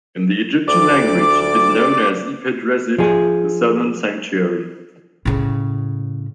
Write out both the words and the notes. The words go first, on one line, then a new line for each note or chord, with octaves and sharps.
In the Egyptian language it is known as "ipet resyt", "the southern sanctuary".
D2 D5 D6
F3 G#4
A2 C#3